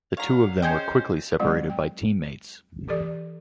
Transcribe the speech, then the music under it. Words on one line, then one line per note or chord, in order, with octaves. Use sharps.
The two of them were quickly separated by team-mates.
F#3 D4 C#5 F5 A#5
C#4 G#4 C5 D#5 G5
F#3 G#3 C4 F4 F5 F#5
G5
E3 G4 A4 D5